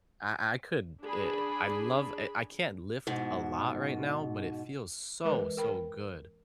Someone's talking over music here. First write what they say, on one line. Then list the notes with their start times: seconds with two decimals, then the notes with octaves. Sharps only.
I I could, eh I love, eh I can't lift a lot right now, but it feels so, so good.
1.04 D4 G#4 B5
3.07 G#2 B2
5.24 E3 G#3 A#4 B4 D#5 D6
5.57 A#4 G5 B5